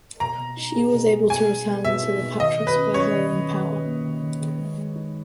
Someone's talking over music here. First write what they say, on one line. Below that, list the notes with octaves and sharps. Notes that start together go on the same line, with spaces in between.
She was able to return to Patras by her own power.
B2 A#5
B2
D#4
G#4
B2
G#4
B2 G#5
G#4
B2
B2 E5
D#4
B2
D#3 D#5
D#3
B4
C#4
C#4 C#5
D#3
D#3
D#3
D#3
A#3
D#3
D#3
D#3
G#3
G#3
D#4